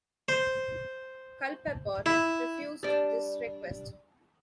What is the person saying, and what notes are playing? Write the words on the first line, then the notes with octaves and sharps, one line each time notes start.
Culpepper refused this request.
C5
E4
G3 D4